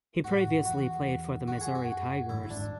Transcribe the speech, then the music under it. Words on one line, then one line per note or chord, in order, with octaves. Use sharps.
He previously played for the Missouri Tigers.
A2 F#4
F#2
E2 F#4
F#2 F#4
G#4
F#4
G#2 E4
F#3
D4
G#3